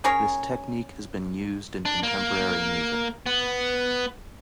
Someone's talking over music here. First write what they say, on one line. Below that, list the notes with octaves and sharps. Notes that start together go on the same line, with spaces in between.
This technique has been used in contemporary music.
C#4 G#4 A#4 C#5
D4
A#3
B3